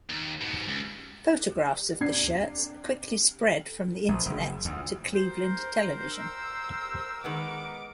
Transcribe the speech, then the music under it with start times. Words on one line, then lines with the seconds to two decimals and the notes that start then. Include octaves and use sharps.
Photographs of the shirts quickly spread from the Internet to Cleveland television.
0.10 D#2
0.41 G#2 B2
0.68 C#2
2.00 C3 D4 G#6 C7
4.09 A#1
4.26 F#1
4.65 D2
5.15 A#4 C5
6.14 E6
7.24 D#3 G#3 B3 D6